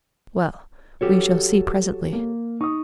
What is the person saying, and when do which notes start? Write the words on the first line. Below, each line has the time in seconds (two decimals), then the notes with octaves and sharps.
Well, we shall see presently.
1.01 F#3 G4 A4 C#5
2.13 A#3
2.61 D#4 C#6 D#6